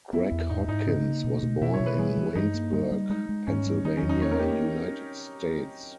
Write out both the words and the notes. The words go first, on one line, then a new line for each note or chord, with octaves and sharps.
Greg Hopkins was born in Waynesburg, Pennsylvania, United States.
B3 E4
E2
G#2 D#4
G#2 D#4
C#3 D#4
A#3
B2
B2
B2 E4
C#5
B2
B4
G3 G#4
E3
G2 D#4
A#3
G3 D#4
G3
G#3 D#4
G#3
G#2 C#4
G3
D#3 D#4
C#4
E2
D#4
A#3 C#5
A#4
A#3 G4